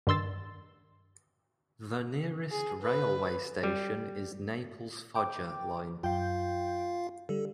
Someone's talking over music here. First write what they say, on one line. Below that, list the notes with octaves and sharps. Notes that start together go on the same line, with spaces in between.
The nearest railway station is Naples-Foggia line.
G2 D#3 C6 E6 A6
G#4
B4
G3
G5 D6
F#2 F4 F5 G5 G6
D3 G3 A4